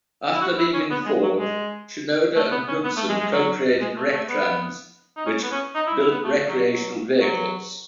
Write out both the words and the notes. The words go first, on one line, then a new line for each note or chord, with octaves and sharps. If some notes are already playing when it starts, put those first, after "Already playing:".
After leaving Ford, Shinoda and Knudsen co-created Rectrans, which built recreational vehicles.
E4
F#4
E4
C#4
B3
G#3
F#3
G#3
A3
B3
C#4
B3
A3
G#3
G#3
F#3
G#3
A3
A3
B3
D#4
C#4
B3
C#4
D#4
E4
E4
B3
A3
F#3
F#3
F#3